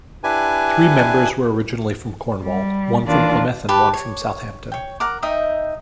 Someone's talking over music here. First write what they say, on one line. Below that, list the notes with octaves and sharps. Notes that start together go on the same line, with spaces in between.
Three members were originally from Cornwall, one from Plymouth and one from Southampton.
D4 E4 G4 B4 G#5
G3
D#2 D#3 E3 D4 F4 D5
G4 B4 A5
C#5
C#5 G5
A#4 F#5 D6
D#4 D#5 E5 G5